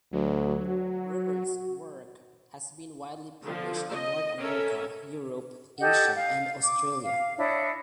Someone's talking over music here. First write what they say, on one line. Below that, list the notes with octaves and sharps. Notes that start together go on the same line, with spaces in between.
Robert's work has been widely published in North America, Europe, Asia and Australia.
D2 F#3
F#4
D3 F3
D#5
C#4 A4 A#4 E5
G4 A4 D#5 F#5
F5
D6
F5
D4 E4 C#5 D#5